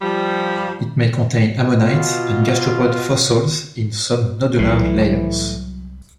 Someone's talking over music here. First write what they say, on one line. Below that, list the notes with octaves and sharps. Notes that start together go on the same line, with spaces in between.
It may contain ammonite and gastropod fossils in some nodular layers.
F3 G3
B2 F4
C2 A2 E3 F#3